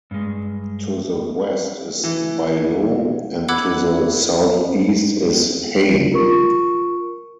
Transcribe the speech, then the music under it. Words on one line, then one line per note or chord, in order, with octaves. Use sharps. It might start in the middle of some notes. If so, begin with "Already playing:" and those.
To the west is Baillaud and to the southeast is Hayn.
G2 G#3
E3
F#5 B5 D6 E6 F#6 G#6
F4 A#4 C#6